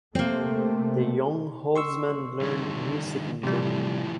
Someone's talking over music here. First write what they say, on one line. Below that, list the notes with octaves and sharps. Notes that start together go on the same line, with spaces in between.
The young Holzmann learned music in Germany.
C3 A3 A#3 C4
C6 C#6 E6
D3 D#3 G3
A2 C3 E3 F3 G3